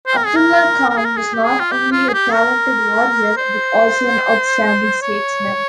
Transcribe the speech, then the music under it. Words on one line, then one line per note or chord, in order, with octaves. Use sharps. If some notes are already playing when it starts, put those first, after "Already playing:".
Abdullah Khan was not only a talented warrior, but also an outstanding statesman.
C5
A#4
G#4
A#4
A#4
G#4
A#4
G#4
G4
G#4
F4
G4
F4
G#4
G4
A#4
C5
C#5